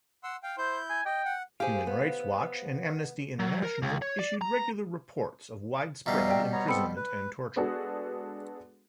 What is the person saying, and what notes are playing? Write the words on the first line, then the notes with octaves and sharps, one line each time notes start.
Human Rights Watch and Amnesty International issued regular reports of widespread imprisonment and torture.
F#5 C6 E6
F5 G5
E4 C5 G6
G#5
D#5 G5
F#5
G4 G#4 C5 F5
B3
F#3
A#4
C#2
C#5
D5
A#5
B2 G3 E5 F5 A#5
D5 G5
B3 C#5 A#5
B3 C4 A4 B5 C#7
B4
G#3 B3 D4 F#4 G#4 A4